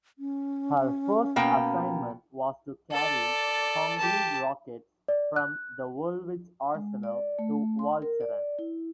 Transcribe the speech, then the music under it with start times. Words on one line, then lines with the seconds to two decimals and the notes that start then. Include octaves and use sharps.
Her first assignment was to carry Congreve rockets from the Woolwich Arsenal to Walcheren.
0.19 C#4
1.36 B2 A#3 G5
2.92 A4 D5
3.98 G4 A5
5.08 D5
5.36 F#6
6.75 G#3
7.03 D5
7.39 A3
7.79 C6
8.02 A#4
8.21 D5
8.59 E4